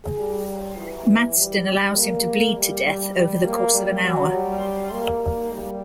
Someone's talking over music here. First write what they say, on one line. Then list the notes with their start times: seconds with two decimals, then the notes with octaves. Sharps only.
Maddstone allows him to bleed to death over the course of an hour.
0.19 G3
0.79 E3
1.39 G3
1.67 G3
1.97 A#3
2.57 G3
2.85 G3
3.16 G3
3.45 A#3
3.74 G3
4.04 F#3
4.34 G3
4.93 A#3
5.52 G3